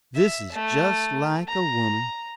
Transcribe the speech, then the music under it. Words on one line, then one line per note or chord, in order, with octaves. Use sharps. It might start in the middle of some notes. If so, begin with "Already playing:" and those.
This is just like a woman.
E5
A3
A#5